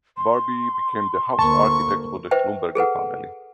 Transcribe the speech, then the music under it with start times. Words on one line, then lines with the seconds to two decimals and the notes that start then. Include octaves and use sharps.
Barbe became the "house architect" for the Schlumberger family.
0.17 C6
1.39 D2 A#3 A5 C#6
2.31 B4 C5 E5 G5
2.75 G#4 A4 B4 F#5